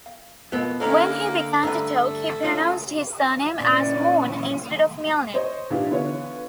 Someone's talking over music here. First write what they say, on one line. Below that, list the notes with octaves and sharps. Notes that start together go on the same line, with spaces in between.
When he began to talk, he pronounced his surname as Moon instead of Milne.
F5
F2 B2 B3 F#4 A#4 D#5
D3 A#3 C#4 E4 A4 D#5 A#5
G2 D3 A3 B4 F#5 A#5
C#2 F4 C#5
A#2 E3 C#4 D5
C5 C#5 D#5
A#2 D#3 E3 A#3 D4 G4
D3 E3 B3 F4 C#5